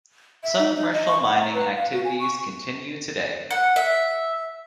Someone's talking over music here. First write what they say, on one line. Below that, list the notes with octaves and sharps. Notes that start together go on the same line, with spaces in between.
Some commercial mining activities continue today.
E5
D#4
D#4
D#5
C#6
F#5
A#5
B4
F5
F#4
G#5
C#6
F#5
E5